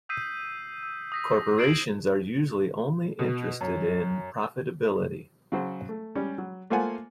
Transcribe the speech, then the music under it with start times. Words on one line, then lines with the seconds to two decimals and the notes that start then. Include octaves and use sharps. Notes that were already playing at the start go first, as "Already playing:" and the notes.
Corporations are usually only interested in profitability.
0.09 D#6 E6 G6 B6 C7 D#7
0.83 E6
1.12 D#6 A#6 B6
1.58 G#6 C7 D7 E7 F#7
3.19 B2
3.61 F#2
5.52 C#3 F#3 C5
5.89 A3
6.15 G3 C#4
6.38 F#3
6.70 A3 A#3 F4 C5 F#5 G#5